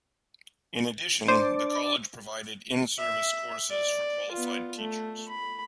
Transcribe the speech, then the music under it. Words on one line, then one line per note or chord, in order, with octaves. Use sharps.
In addition the college provided in-service courses for qualified teachers.
D4 C5 D5
E5
D5
B3 F4
A3
B5